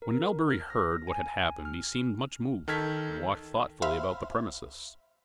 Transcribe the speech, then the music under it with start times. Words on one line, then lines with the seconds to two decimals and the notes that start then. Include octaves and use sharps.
When Melbury heard what had happened he seemed much moved, and walked thoughtfully about the premises.
0.02 A#4
0.50 F6
0.70 A#6
1.07 G#5
1.65 F6
2.68 D#3 A4 F6 G#6 B6
3.82 C5 E5 F5 B5 F6